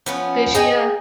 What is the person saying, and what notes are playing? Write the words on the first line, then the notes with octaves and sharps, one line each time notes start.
Did she uh
F3 B3 C#4
G#4 D#5 G5 G#5